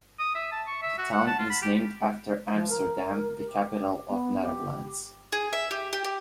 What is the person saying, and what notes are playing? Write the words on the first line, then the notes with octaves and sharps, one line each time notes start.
The town is named after Amsterdam, the capital of the Netherlands.
D#6
E5
A5
C#6
E5
F#4
F#5
A5
F4
B5
G4
F3
A#4
G4
B3
G4
G#4
E5
G4
G4
G4